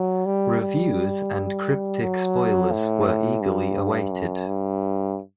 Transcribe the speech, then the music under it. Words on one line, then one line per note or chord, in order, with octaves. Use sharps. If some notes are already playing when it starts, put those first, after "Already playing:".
Reviews and cryptic spoilers were eagerly awaited.
Already playing: F#3
G3
G3
F#3
A2
G2
F#2
G2